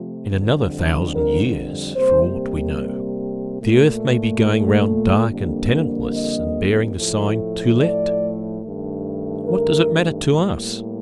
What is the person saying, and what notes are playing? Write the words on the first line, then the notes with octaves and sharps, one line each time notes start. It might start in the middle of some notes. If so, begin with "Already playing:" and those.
In another thousand years, for aught we know, the earth may be going round dark and tenantless and bearing the sign "To Let." What does it matter to us?
Already playing: C3 F3 A3
F2 D3 G3
A#4
C3 G3 A#3 C5
A#2 A3
F2 D3 G3 A#3
D#5
A2 F3 A3
D5
G2 D#3 A3
A#4
A2 G3 A#3